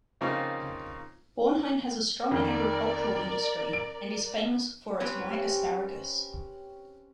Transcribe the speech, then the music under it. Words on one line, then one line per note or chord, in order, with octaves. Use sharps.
Bornheim has a strong agricultural industry and is famous for its white asparagus.
C#3 F3 A#3 C4 D#4 F4
F2 D#3 A#4 D5
D7
C4 C#4 G4 B4